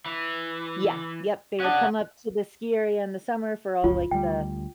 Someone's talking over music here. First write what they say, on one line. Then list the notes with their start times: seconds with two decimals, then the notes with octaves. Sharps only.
Yeah. Yep, they would come up to the ski area in the summer for all, like, the
0.06 E3
1.60 C#4 D4 G#4 F#5
3.84 F#1 C#2 F3 F4
4.11 D2 G3 G5